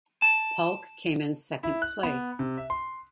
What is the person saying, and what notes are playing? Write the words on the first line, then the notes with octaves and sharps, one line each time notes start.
Paulk came in second place.
A5
E4
F#6
B3
C3
E5
C6